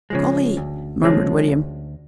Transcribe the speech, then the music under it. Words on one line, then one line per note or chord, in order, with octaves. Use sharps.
"Golly!" murmured William.
C#3 F3 G#3
D2
C#3 F3 G#3
D2